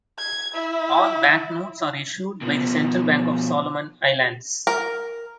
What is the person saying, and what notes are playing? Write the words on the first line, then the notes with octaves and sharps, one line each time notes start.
All banknotes are issued by the Central Bank of Solomon Islands.
G#6
E4
B2 F3
A#4